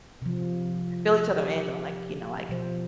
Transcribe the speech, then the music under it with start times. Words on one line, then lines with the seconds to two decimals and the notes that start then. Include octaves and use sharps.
fill each other in on, like, you know, like,
0.22 C3 F3
1.33 G4
2.49 B2 F3 C5